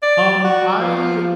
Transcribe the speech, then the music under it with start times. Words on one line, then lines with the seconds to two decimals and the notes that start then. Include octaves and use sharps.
Um, I
0.03 D5
0.44 F#4
0.79 F3